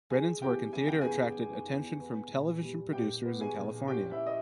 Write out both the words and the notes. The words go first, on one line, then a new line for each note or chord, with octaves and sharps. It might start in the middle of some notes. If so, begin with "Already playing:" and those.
Brennan's work in theatre attracted attention from television producers in California.
G#3 G#4 G#5
E2 G4 G5
C#3 G#5
G5
B3 G#4 G#5
G#3
E2
B3
A#2
G3
A#2 G4 G5
B3
G#4 G#5
A#2
C#4 G4 G5
E4 E5
D#5